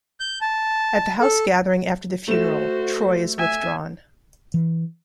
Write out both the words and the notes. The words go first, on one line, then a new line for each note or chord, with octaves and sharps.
At the house gathering after the funeral, Troy is withdrawn.
G6
A5
A4
A3 F#4 C5 E7
E5 G#5
E3